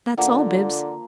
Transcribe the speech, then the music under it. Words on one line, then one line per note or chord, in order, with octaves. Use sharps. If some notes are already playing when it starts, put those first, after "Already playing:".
That's all, Bibbs.
D3 F3 A#3 F#5